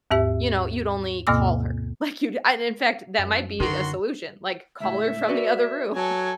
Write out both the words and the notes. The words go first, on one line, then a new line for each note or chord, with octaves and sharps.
you know, you'd only call her. Like, you'd and in fact, that might be a solution, like, call her from the other room,
D#2 G#2 G4 E5
D2 G2 B2 A#3 D6 E6
F#2
D3 D#3 F#4 C6
C#2 A2 E5
F#4 B4 D5
F#3 A4 G#5